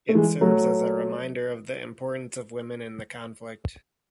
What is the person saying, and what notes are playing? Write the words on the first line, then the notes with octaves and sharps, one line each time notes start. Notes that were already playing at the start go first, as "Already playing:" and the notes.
It serves as a reminder of the importance of women in the conflict.
A3
E3 G#3
F#3 A3